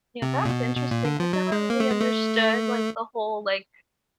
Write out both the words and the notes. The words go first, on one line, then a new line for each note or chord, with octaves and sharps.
Yeah, that's interesting. I've never really understood, like, the whole, like,
C3
A#2
B2
B2
A#2
D3
F3
F#3
G#3
A#3
A3
G#3
A3